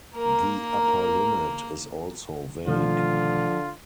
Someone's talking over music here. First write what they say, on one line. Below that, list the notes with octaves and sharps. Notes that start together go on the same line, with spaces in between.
The upper limit is also vague.
A#3 A#4
B2 D3 D#3 F3 A3 F4